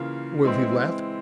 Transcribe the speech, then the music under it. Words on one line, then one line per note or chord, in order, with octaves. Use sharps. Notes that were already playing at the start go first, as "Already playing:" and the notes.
Will he laugh?
Already playing: C#3 E3 A#3 F4
E3 G#3 C4 E4